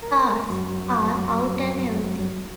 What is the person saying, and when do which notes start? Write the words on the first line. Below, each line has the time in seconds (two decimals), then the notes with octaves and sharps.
Stars are out and everything.
0.03 A#4
0.50 F#2